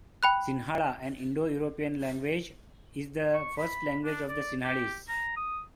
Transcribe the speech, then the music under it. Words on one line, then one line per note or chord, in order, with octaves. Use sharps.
Sinhala, an Indo-European language, is the first language of the Sinhalese.
G5 B5 F#6
C#6
B5
D4
D5
G4
A#5
D#6